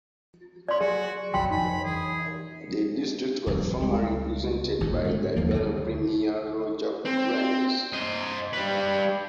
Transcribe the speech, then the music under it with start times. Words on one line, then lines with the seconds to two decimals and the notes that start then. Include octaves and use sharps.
The district was formerly represented by Liberal Premier Roger Grimes.
0.69 C#5 D5 C6
0.81 F#3 F#4 G#4
1.34 F#1 C2 D#3 F#3 G5 B5 C6
1.51 F2 F3 D4 D#4 G#5 B5
1.84 E3 G#4
3.46 D1 C2 D#3 F3
3.80 C#2 G3 G#3
4.80 G#1 D#2 A#2 C#3
5.05 G#2 D3 A3
5.36 D#2 G#2 F3 A#3
5.54 D2 D3 D#3 G3
7.05 C4
7.93 C5 D#5
8.53 G3 B4